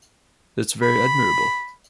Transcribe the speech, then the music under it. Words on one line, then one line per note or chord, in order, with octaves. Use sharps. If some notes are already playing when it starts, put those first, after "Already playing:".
That's very admirable.
B5